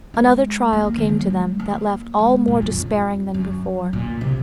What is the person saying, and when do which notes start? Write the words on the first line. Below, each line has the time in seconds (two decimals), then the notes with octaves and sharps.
Another trial came to them that left all more despairing than before.
0.14 G#3
0.73 A#3
0.98 D#3
1.09 F3
1.19 F#3
1.30 G#3
1.60 A#3
2.19 G#3
2.48 A#2
2.62 F#2
2.77 F2
3.34 F#2
3.93 A#2
4.21 C3